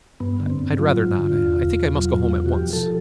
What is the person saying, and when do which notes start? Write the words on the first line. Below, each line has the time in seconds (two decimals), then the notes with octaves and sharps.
"I'd rather not--I think I must go home at once."
0.20 G2 B3
0.40 D3
0.50 C4
0.59 G2
0.79 F#3 F4
0.98 G2
1.18 D3
1.37 E2
1.56 B2
1.76 E2
1.95 F#3 F4
2.15 E2 F4
2.34 B2 F4
2.46 F#4
2.53 F3 G4
2.73 F3 A4